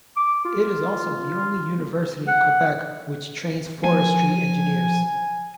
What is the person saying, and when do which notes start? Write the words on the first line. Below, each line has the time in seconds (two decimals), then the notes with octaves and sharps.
It is also the only university in Quebec which trains forestry engineers.
0.17 D6
0.45 F4
2.28 F#5
3.84 F3 G#5